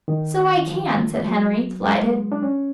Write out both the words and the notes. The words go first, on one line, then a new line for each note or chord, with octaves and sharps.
"So I can!" said Henry, delighted.
D#3
F3
F#3
G#3
D4
C#4